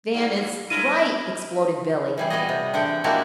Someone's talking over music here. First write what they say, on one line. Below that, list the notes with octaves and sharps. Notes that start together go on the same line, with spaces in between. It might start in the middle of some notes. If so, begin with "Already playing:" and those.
"Van is--right!" exploded Billie.
G2
F#2 E4 A#4 D#7
E3 G3 G#4
G3 B3 F#4 G#4 D#5
C3
A2 D3 E3 F#5 G5
G#3 A#3 D4 E4 F#4 G4